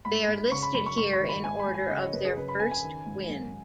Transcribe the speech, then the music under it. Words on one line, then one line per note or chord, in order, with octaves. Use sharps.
They are listed here in order of their first win.
G#2 B5
G#2
C#3 C#6
B5
F#2 B5
C#6
G#2 C#6
C#6
D#3
B5
G#2 G#5
B5
G#2
G#5
C#3 D#5
C#5
F#2 B4
G#4
C#3 B4
B5
C#3 G#5
G#5
D#3
G#2
F#2